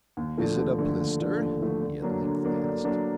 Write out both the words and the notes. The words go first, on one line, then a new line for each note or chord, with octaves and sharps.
"Is it a blister?" he at length asked.
D#2
D3 F3 A3
D#2
D3 F3 A3
D#2
D3 F3 A3
D#2
D3 F3 A3
D3
F#3 A#3 D4
D3
F#3 A#3 D4
D3
F#3 A#3 D4